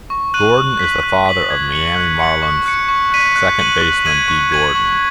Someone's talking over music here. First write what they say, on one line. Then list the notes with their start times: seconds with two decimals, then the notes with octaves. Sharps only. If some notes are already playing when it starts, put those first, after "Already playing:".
Gordon is the father of Miami Marlins second baseman Dee Gordon.
0.10 C#6
0.34 F#6 D#7 F#7
0.57 C#6
0.79 B6 F#7
1.03 F#6
1.26 B6 F#7
1.50 G#6
1.72 C#7 F#7
1.96 F#6
2.20 C#7 F#7
2.42 C#6
2.66 F#6 C#7
2.89 C#6
3.12 F#6 B6 D#7
3.36 F#6
3.59 D#7 F#7
3.81 C#6
4.05 G#6 D#7 F#7
4.28 C#6
4.52 G#6 D#7 F#7
4.75 C#6